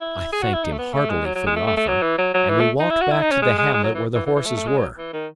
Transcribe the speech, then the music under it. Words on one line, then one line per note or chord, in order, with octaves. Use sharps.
I thanked him heartily for the offer, and we walked back to the hamlet where the horses were.
E4
G#4
F#4
E4
D#4
A3
B3
A3
G#3
F#3
F#3
G#3
A3
A3
A3
F#3
E3
F#3
F#3
E3
A3
D#4
E4
F#4
E4
D#4
C#4
G#3
G#3
G#3
F#3
E3
E3
E3
E3
A3
A3
G#3
F#3
E3
D#3